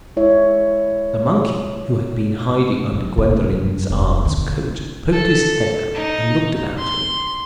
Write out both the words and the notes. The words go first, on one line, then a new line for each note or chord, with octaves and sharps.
The monkey, who had been hiding under Gwendolen's aunt's coat, poked his head out, and looked about him.
G#3 E4 C#5 E5
F#2
C3
F#2
E1
D3
A4
D#4
C6